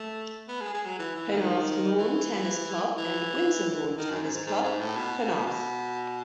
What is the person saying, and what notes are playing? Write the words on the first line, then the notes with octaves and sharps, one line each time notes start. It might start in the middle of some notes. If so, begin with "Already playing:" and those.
Penarth Lawn Tennis Club and Windsor Lawn Tennis Club, Penarth.
Already playing: A3
B3
G#3
G#3
F#3
E3
E3
D#3
E3
E3
D#3
F#2
G#2
G#2
G#2
G#2
A2
B2
B2